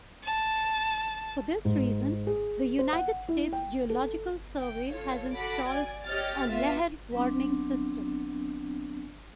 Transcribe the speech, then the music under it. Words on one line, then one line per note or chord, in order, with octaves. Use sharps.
For this reason, the United States Geological Survey has installed a lahar warning system.
A5
G#2
G#4
C5
F#5
E4
G5
A4
G5
F4 A4 C#5
F#4 A4 B5 D6
D5 G#5
G4 C#5 D#5 F6 A6
B3 F4 E5 F5
F#3 B3 C4 D4